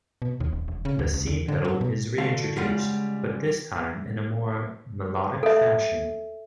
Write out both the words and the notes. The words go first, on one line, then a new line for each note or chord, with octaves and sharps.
The C pedal is reintroduced, but this time in a more melodic fashion.
B2
D#2
D#1
E1
C#3
D2
C#2
E2
D3
F#3
B2
D3 A3 F#4 F5
C#2 G3 G#3 F4 F#5
A4 E5